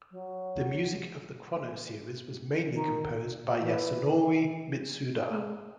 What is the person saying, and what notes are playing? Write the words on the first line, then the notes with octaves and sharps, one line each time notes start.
The music of the "Chrono" series was mainly composed by Yasunori Mitsuda.
F#3
D#3
E3
A3
G#3